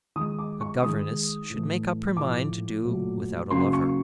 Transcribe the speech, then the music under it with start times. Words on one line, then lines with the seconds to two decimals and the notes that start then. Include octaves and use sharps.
A governess should make up her mind to do without a lover.
0.16 D#3 G#3 D#6
0.39 D6
0.61 C#6
0.82 D#3 G#3 D#6
1.50 A2 E3 A3
2.16 A2 F3 A3 D6
2.84 A#2 F#3 A3
3.51 C#3 F#3 A#3 C6
3.73 C#6